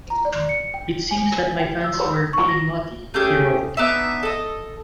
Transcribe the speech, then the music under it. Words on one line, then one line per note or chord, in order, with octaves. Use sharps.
"It seems that my fans were being naughty," he wrote.
A#5
D5
C#7
G5
G#5
G5
E6
C#6
A#6
A3 C#4 G4 G#4
B3 D4 D#4 E5
A4 D#5